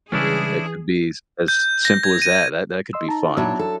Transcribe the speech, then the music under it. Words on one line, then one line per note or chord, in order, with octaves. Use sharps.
It could be s as s simple as that. That that could be fun.
C#3 E3 G3 G#3 C#4 D4 E4 G#4
G6
A#6
G#6
D#7
D#5 C6 E6
D#4 A5 A#5
A#2 F#3 D4 E4 C#5
A4